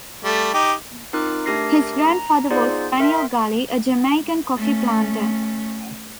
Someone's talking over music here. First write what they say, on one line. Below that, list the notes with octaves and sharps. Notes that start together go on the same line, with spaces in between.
His grandfather was Daniel Gully, a Jamaican coffee planter.
G3 A3
D#4 G4 D6
C4 D#4 F4 A#4 D6 F#6
A3 D4 G4 A#4 A#6 C7
A#5
B3 D#4 F4 G#4 C5 D5
A#4 E5 G5 C6 B6
A3 C#4